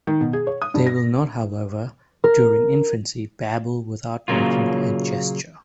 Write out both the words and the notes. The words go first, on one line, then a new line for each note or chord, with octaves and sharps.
They will not however, during infancy, babble without making a gesture.
D#3
B2
G#4
C#5
D#6
G2
A#6
A#4
A#2 C#3 F#3 A#3 F4